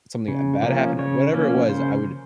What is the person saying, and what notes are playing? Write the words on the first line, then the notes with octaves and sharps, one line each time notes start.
something, uh, bad happened. Whatever it was, I would
C#3
F3 A#3 C#4
C#3 C#5
F3 A#3 C#4
C#3 C5